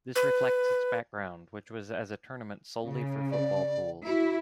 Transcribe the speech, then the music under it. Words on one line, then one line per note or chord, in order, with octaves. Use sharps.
This reflects its background, which was as a tournament solely for football pools.
B4
C#3
D5
E4 F#4